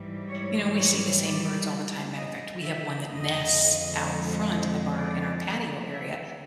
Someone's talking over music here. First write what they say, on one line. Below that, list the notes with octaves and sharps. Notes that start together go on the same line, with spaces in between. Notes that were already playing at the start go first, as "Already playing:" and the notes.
You know, we see the same birds all the time, matter of fact, we have one that nests out front of our in our patio area,
Already playing: G#2 E3 G3
C#5
C#5
D5
D#5
E5
F2 D3 F3 G#3 D#5
D5
E5